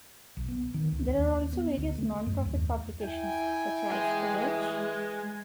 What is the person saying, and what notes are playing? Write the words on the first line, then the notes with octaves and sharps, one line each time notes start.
There are also various non-profit publications, such as Which?
B1
B3
D#3
C#2
D#2
B3
D2
A3
F#2
D#2
E4 G5 G#5
E3 G#3